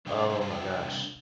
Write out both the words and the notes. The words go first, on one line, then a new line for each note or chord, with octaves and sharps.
Oh my gosh.
C3 G3 D4 E5 G5
F5 A5
E5 G5
F5 A5
C3 G3 D4 E5 G5